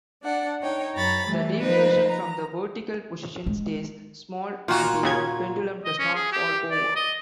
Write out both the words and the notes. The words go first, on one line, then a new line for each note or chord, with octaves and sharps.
The deviation from the vertical position stays small, and the pendulum doesn't fall over.
D4 D5 F#5
D#4 C#5 G5
F#2 C#5 A#5 B5 A6
E3 G3 A3
F3 D#4 B4 C5
A#5
G#3
A#2 F4 F#4
D#2 C#3 G#6
D#5
C#4
G#4
G4
D5
D#5